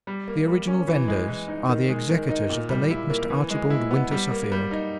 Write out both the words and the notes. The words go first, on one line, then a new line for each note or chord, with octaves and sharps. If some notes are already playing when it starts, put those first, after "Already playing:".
The original vendors are the executors of the late Mr. Archibald Winter-Suffield.
G3
A#3
G3
C#4
E3
G#3
E3
D#4
D#3
G#3
D#3
D#4
A#2
G3
E4
A#3
E3
G#3
E4
B3
G3
A#3
G3
D#4